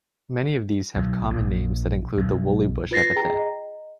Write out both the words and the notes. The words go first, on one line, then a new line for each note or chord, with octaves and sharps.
Many of these have common names that include the "woollybush" epithet.
B1
A#1
B1
F4 B4 A6 A#6 C7
G#4 G5 A#5
D#5